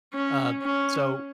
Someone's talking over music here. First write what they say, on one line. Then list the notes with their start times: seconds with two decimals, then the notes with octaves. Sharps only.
Uh, so,
0.15 C#4
0.62 C#4